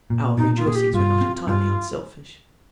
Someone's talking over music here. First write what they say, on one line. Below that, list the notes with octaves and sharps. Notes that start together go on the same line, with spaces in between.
Our rejoicings were not entirely unselfish.
A#2
A#2 D#4
F4
A#2 G#4
G4
G2 F4
C4
G2 F4